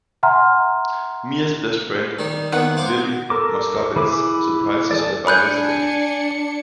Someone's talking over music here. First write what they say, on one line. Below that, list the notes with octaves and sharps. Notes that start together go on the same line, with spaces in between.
Mia's best friend, Lilly Moscovitz, surprises her by visiting.
E5 F#5 G#5 A#5 C6 F6
D#3 G3
D#2 D#3 B3 F#5
C5 F5 D6
A4 A#4 D6
E3 G#4 B5 D6
G#4 A4 D5
D4 G#5 B5 F#6 G6 C#7